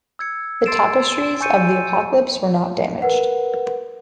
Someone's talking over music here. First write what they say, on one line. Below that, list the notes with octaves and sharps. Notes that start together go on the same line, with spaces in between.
The Tapestries of the Apocalypse were not damaged.
E6 G#6 C#7
C6 E6 A6 C7 D7 E7
G#5 C#6 G6 C#7 D#7
A#4 B4 F#5